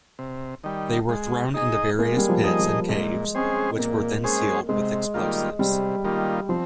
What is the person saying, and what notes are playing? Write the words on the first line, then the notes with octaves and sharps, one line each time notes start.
They were thrown into various pits and caves, which were then sealed with explosives.
C3
D#3 G3
G#3
D#4 G#4 D#5
G#3 A#3
G3
F3
D#4 G#4 D#5
G3
A#2 G#3
G#3 C4 C#4 G#4 C5
A#2 A#3
G#3 C#4 G#4 C5
C3 G#3
D#3 G3 A#3 F4
C3 G3
D#3 G3 A#3 F4
F3 C4